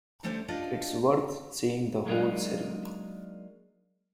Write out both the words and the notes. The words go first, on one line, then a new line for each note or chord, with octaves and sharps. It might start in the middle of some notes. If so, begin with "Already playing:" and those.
It's worth seeing the whole ceremony.
D3 G3 A3 C#4 C5 D5
D4 F4 G4 A4 D5 D#5
F#3 G#3 A#3 D4 D#4